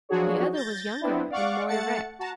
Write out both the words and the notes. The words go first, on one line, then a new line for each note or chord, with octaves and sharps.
The other was younger and more erect.
F3 F#3 D4 F#4 G#4 C#5
G6 A6 A#6
B3 C4 D4 E4
D5 F5 F#5 C#6 D6
A3 F#5 A5 A6 C#7
F#4 A5 A#5